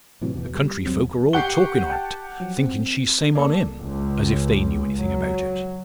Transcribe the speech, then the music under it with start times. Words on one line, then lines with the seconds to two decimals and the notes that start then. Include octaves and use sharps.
The country folk are all talkin' o't; thinkin' she's same on him, as if they knew anything about it.
0.21 A2 C3 E3 F#3
0.34 E2 B2 E3
0.55 G3
0.86 E2 F#3 C4
1.33 G4 F#5 C#6 C7 G7
1.90 G5 A5
2.40 F3 F#3
2.59 C4
3.35 A#3 A4 D5
3.80 C#2
4.99 F#3